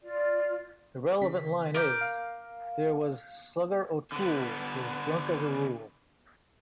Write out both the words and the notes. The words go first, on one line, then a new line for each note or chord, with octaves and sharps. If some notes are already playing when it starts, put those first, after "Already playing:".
The relevant line is: "There was Slugger O'Toole who was drunk as a rule".
F4 D5
C#3 B6
A#4 D6 G6
F5
D3 B3